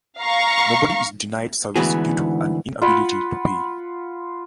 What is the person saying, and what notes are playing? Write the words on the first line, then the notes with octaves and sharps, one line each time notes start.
Nobody is denied service due to an inability to pay.
F5 A#5 C#6
D2 G#2 E3 B3 F#4 G#4
F4 F#5 B5